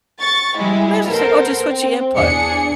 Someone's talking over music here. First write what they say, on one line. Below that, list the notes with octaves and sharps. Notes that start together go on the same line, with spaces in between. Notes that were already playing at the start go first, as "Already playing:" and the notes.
mine's just like, "Oh, just switch the input,"
C#6 A6
G3 G#3 E4
B3 A4 A#4 C5
C4
E2 D4 G#4 C#7